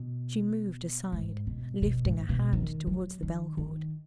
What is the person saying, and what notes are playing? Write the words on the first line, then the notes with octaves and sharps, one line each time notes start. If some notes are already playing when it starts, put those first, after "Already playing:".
She moved aside, lifting a hand toward the bell-cord.
Already playing: B2
G#2
B2
B2
G#2
B2
D#3
F#3
D#3
D#3